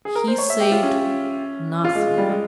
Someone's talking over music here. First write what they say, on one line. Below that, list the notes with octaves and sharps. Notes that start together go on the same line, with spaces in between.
He said nothing.
G#4
A#4
C5
C#5
E5
G4
F4
C#4
F4
G#3
G#3
G3
G#3